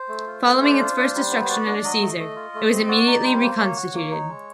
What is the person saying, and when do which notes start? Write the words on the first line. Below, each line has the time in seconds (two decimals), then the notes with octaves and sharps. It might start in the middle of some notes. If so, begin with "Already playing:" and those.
Following its first destruction under Caesar it was immediately reconstituted.
Already playing: C5
0.09 A3
0.27 F4
0.44 A3
0.62 D4
0.79 F4
0.97 D4
1.14 G3
1.31 B3
1.45 C#5
1.49 F#4 D5
1.66 D4
1.84 F#3 D#5
2.02 A3
2.18 A3
2.36 F4
2.54 A3
2.71 C4
2.88 F#4 D5
3.07 D#4
3.23 G3 C5
3.41 A#3
3.58 A#3 C#5
3.76 F#4
3.94 A#3
4.11 D#4
4.28 G#3